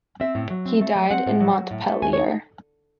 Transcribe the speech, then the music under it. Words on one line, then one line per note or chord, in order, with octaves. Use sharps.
He died in Montpellier.
C4 E5
A2
F#3
C4
A3
F#3
C4 F#5
A2
F#3
F#3
A2
A3
D#2 G#5
D#4 C#5